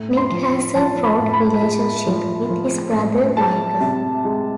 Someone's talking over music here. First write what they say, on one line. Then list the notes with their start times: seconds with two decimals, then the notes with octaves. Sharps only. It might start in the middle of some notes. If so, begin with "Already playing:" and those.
Nick has a fraught relationship with his brother, Michael.
Already playing: A2
0.17 C6
0.31 F3
0.46 C6
0.75 F3 A5
1.04 B5
1.19 A2
1.33 B5
1.62 G#3
2.06 F3
2.49 F3
2.93 A2
3.37 G#3 A5
3.80 C3
4.25 G#3